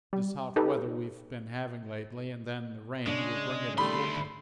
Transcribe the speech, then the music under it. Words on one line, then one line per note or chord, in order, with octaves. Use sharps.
This hot weather we've been having lately, and then the rain, will bring it a-whooping.
G3
D#4 G4 A4 B4
C#3 G#3 D4
D2 D#3 G3 A3 B5 C6